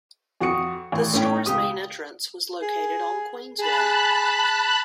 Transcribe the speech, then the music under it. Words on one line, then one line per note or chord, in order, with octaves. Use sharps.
The store's main entrance was located on Queensway.
F2 F#4 C#6 D#6 C#7
A1
A2 C#4 G5
C#2 G4 D#6
G#4
G#4 A5 B5 F#6